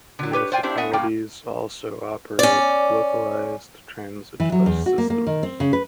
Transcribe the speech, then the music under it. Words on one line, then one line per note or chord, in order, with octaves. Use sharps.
Municipalities also operate localized transit bus systems.
D3 F#3
G4 B4 C#5
C5 D5 F5 G5 G#5
C4 D4 E4 G4 C5
B3 E5 F#5 G#5
F#2 A2 A#3 F5 G5
C#4 D5
E3
F#3
E2
F#4
A#3
A#3
D#3
C4
C#3
B4